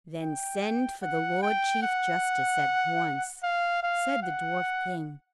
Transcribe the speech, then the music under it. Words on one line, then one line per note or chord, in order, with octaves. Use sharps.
"Then send for the Lord Chief Justice at once," said the Dwarf-King.
G5
F#5
G5
F#5
F5
F5
F#5